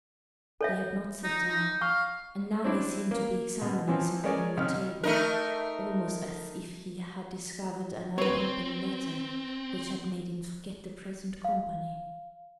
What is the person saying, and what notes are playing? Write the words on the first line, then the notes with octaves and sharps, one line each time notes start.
He had not sat down, and now he seemed to be examining something on the table, almost as if he had discovered an unopened letter, which had made him forget the present company.
A4 C#5 E5
D#4
D#4
F5 C#6
C4 D4 E4
A#3
B2
E3 F3 C4
G#3 A#4 C#5 D5
C2 D#4 F6
A3 D#4 A#4
C4 B4 C#5
F5